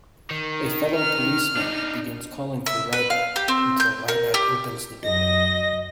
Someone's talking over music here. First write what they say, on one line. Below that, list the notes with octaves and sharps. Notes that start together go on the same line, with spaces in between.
A fellow policeman begins calling for Rybak until Rybak opens the door.
D#3
F6
D4 D#4
E5
B4
F5
G4
C4
G6
A#4
G4
F#2 F#3 D#5 A#6